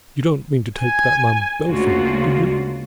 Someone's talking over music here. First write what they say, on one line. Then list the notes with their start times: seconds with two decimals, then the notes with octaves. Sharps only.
"You don't mean to take that man Bellfield, do you?"
0.79 G#5
1.68 D2 C#3 G#3 A#3 F4 F#4